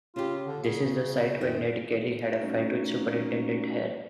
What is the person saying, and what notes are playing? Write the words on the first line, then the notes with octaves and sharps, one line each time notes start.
This is the site where Ned Kelly had a fight with Superintendent Hare.
C#3 F4 G4
D3
C#3 G#4
F#2 D#3 C4
G3 A3 A#3 C#4 D#4 F#4